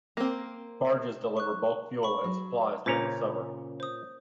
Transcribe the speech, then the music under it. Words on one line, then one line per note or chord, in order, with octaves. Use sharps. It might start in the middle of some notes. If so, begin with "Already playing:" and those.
Barges deliver bulk fuel and supplies during the summer.
A#3 C4
C#6 F#6
B5 C#6
F#3
A#2 C#3 C#4 C5 A#5
C5 D#6